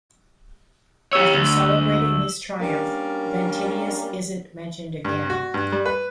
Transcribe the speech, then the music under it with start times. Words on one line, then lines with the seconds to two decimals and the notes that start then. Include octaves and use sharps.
After celebrating his triumph, Ventidius isn't mentioned again.
1.13 G4 C#5 E6 E7
1.34 D2
2.61 G3 A#3 C#4 D4 A#4
5.05 G2
5.30 F#4
5.54 G2
5.72 G3
5.86 B4